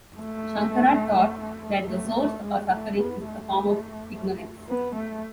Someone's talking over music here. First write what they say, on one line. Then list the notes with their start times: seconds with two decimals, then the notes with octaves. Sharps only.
Shankara taught that the source of our suffering is a form of ignorance.
0.20 A3
1.87 A3
2.16 A3
2.44 G#3
2.72 A3
3.00 B3
3.28 A3
4.69 B3
4.96 A3